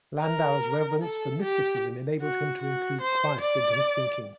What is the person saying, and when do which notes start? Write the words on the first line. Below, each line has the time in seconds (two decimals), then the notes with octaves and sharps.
Landauer's reverence for mysticism enabled him to include Christ into his thinking.
0.21 A#4
1.02 A4
1.42 G4
2.21 F#4
2.61 F#4
3.01 C5
3.40 D5